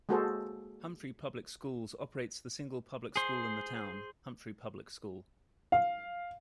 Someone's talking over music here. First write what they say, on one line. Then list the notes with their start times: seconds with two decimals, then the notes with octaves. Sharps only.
Humphrey Public Schools operates the single public school in the town: Humphrey Public School.
0.09 G#3 A#3 F#4 G#4 A4 C5
3.16 G#4 C5
5.72 F5